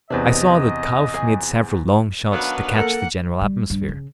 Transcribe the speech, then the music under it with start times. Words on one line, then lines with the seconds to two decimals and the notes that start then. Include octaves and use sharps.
I saw that Kauf made several long shots to catch the general atmosphere.
0.10 E2 C3 D4 B4 C5 D#5
1.14 G#4 G#5
2.32 D#3 F#3 B3 D4 B4 F5
2.77 A#3 A4 A#4 F#5
3.41 G3
3.70 G2
3.89 C#3